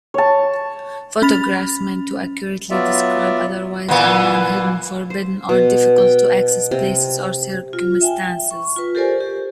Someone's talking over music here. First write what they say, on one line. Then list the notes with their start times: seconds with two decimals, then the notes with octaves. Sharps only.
Photographs meant to accurately describe otherwise unknown, hidden, forbidden, or difficult-to-access places or circumstances.
0.14 C#5 A5
1.22 C#4 B5 A6 F7
2.70 F#3 B3 F4 D5 E5
3.88 A#2 E3 B3
5.10 C5
5.49 B2
5.98 G5
6.71 C3
7.73 F4
8.01 E5 G5 G#5
8.51 C#6
8.76 F4 B4
8.95 G4 A4 A#4 C5 D5 G#5
9.20 G4